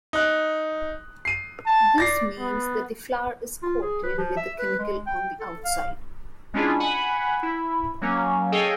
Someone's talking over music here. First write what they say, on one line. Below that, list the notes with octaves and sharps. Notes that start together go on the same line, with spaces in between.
This means that the flower is coated with a chemical on the outside.
D#4 F#6
C7 D#7
A5
D5 A6 A#6 C7
B3
F4
G#4
B4
F3
E5
B4
G#3
G5
A4
F5
G#3 C#4 D4 E4 F4 G#4
F#5 G#5 B5
E4
F#3 A#3 C#4
G#4 A4 C#5 D#5 F5 G5